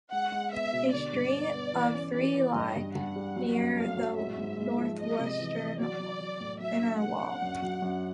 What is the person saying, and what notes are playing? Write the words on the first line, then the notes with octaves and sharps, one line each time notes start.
A string of three lie near the northwestern inner wall.
G#3 F#5
G#3
B3 E5
B2
D3 D5
G2
B3
B3
E3
C#4
E3 D5
E3
G2 D#5
G2
G2 F#5
G3
F#3
F#2
A3 F5
F#3
G#3 E5
G#2
G#3
F3
G#3 D#5
C3
E3
E3
F#3 D5
F#3
F#3
A2
F#3 E5
D4
A#3 F#5
D4
F#2
F#3
F#2